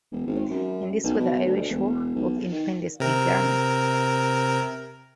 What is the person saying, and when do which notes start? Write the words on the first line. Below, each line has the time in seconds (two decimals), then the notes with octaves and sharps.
In this way the Irish War of Independence began.
0.12 E1
0.27 G#1
0.50 F#2
1.04 B1
1.20 B2
1.46 D2
1.69 E1
2.15 B1
2.52 D#3
3.00 C3 A#4